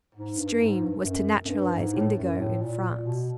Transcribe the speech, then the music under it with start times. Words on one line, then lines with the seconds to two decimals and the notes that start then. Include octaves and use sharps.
His dream was to naturalize indigo in France.
0.15 G#2
0.37 G2
0.60 G#2
0.83 G2
0.97 G2
1.05 F#2
1.45 F#2
1.49 G2
1.72 G#2
1.95 A2
2.17 F#2
2.39 A2
2.62 A#2
2.84 A#2
3.06 B2